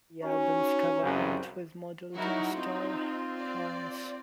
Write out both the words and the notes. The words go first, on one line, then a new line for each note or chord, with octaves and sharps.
The album's cover art was modeled on "Star Time"'s.
C#4 D#4 F#4
C2 F#2 C#3 C5
F#3 D#4 E4 F#4 A#4
C4 D#4 F4
D5